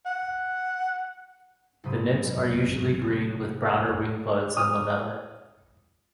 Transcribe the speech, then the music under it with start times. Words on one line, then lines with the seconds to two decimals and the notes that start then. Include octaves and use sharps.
The nymphs are usually green with browner wing buds and lamellae.
0.06 F#5
1.84 G#1 G#2 C3 F#3 B5 D#6
4.57 D#6 F6